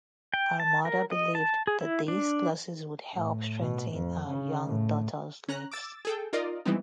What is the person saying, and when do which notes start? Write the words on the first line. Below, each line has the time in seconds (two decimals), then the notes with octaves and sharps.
Her mother believed that these classes would help strengthen her young daughter's legs.
0.34 G5
0.60 A5
0.85 A#4
1.11 D#5
1.35 A5
1.67 G#4
1.81 E4
2.08 D4
3.14 A2
3.60 B2
3.92 F2
4.28 C#3
4.66 A2
5.48 C#4 A#5 F#6
5.71 D6 E6 A6
6.05 G#4 A4 G5
6.33 D#4 F4 A#4 D5 D#5
6.65 E3 G3 G#3 B3 C4 D#4